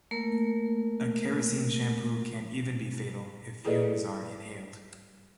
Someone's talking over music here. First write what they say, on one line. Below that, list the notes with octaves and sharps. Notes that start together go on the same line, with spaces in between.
A kerosene shampoo can even be fatal if fumes are inhaled.
A3 A#3 A#4
E4 G#4 A4 B4 D5 D#5